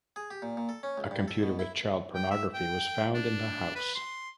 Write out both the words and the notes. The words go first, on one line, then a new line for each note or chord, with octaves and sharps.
A computer with child pornography was found in the house.
G#4
G4
A#2
A#2
A4
C#4
C#2
G2
A4
B2
E4
G5
E5
G5
D4
B4
C6